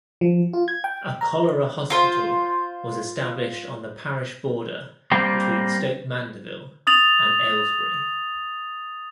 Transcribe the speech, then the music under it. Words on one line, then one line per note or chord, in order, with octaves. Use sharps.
A cholera hospital was established on the parish border between Stoke Mandeville and Aylesbury.
F3
F4
G#6
G5
A#5
F4 C5
G3 A#3 C4
D#6 A6 F7 F#7